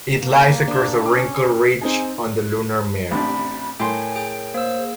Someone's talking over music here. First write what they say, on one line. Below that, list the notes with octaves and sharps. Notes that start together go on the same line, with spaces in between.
It lies across a wrinkle ridge on the lunar mare.
A#3
D4
C#4 D6
C4 D#4 G#4 G#5
A1 C3 D4 B5
A2 A#4 C#5 G5 G#5 C6
G#4 G5 D7
A#3 C5 E6
G#4